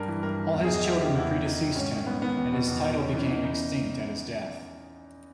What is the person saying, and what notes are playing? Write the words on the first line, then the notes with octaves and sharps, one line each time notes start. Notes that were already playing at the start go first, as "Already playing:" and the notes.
All his children predeceased him, and his title became extinct at his death.
Already playing: G2 A#4
E3
G2 A#4
E3
E2
G#4
D#3
D#5
E2 E5
D#3 G4
E2 E4
D#3
E2 D#4
D#3
G#2 C#4
D#3
G#2 B3
D#3 B3
E2
B2
E2
B2
E2 C#4
C#3 E3 D#4
E2 D#4
E3 D#4